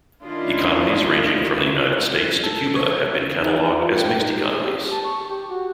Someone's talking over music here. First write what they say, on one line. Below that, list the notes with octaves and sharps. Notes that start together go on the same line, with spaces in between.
Economies ranging from the United States to Cuba have been catalogued as mixed economies.
D#3 C#4 D4 E4 F4 D#5
A4
C#5
D#4
F4
G5
D#4
G4
G#4
G4
A5
C#6
G4
F#4